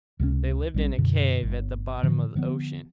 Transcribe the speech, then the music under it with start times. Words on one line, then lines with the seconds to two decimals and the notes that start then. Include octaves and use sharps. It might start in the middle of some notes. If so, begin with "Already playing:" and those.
They lived in a cave at the bottom of the ocean.
0.20 C#2 C3 G3 C#4
0.74 A#1 G3 C#4
0.98 F#2 B2 D3
1.43 G1
2.03 A2 D3 E3 F3
2.35 D3 F3 A#3 B3